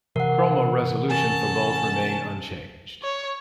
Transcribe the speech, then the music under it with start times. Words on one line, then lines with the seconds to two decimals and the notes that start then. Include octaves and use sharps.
Chroma resolution for both remain unchanged.
0.16 C3 E3 A#4 F#5
1.08 C#4 A5
3.03 C#5